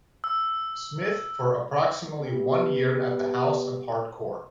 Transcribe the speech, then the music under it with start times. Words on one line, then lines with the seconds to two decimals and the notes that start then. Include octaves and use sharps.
Smith for approximately one year at the House of Hardcore.
0.24 E6
2.21 B3 G4